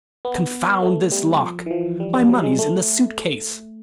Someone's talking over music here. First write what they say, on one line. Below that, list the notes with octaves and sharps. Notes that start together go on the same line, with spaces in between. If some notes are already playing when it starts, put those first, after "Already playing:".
"Confound this lock--my money's in the suit case."
B3
A3
G3
F3
E3
F3
G3
G3
F#3
G#3
A3